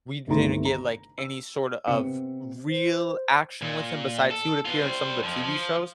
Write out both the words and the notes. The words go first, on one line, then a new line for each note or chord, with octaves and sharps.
we didn't get, like, any sort of real action with him besides he would appear in some of the TV shows,
G1 C2 D#3 A3 A#5 C6
A#5
E6
C3 B3 C4 C#7
C5
A#2
A4
B3 F4
G3 C5
F2 F3
F3